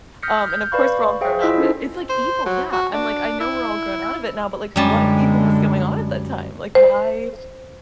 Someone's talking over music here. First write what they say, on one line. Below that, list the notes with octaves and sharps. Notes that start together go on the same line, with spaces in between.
Um, and of course we're all grown out of it. It's like evil, yeah, I'm like, "I know we're all grown out of it now, but like, what even was going on at that time?" Like, why
D#6 F6 G6 A#6 B6 C#7
F6 G6
B4 D5 F5 B5 C#6
G#4 C5 E5 F5 G5
E4 F4 D#5 E6 B6
C#4 D#4 E4 A4 C5
C5
F#3
F#4
D4
E4
F#2 D3 G3 G#3 A5
C5